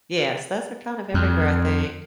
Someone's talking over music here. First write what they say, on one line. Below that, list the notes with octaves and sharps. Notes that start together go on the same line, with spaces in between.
Yes, those are kind of everywhere, I think.
F2